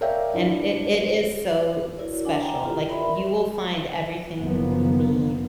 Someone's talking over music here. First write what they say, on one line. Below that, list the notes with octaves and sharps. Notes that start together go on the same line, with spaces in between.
and it it is so special, like, you will find everything you need,
A#4 C#5 D5 E5 F5 G5
D4 E4
E4 F#4 A#4 C#5 D5
D4 F#5 G#5
G5 A#5
E4 F4 G4 A4
A#4 B4 D5 E5 B5 C6
F#1 F3 A#3 B3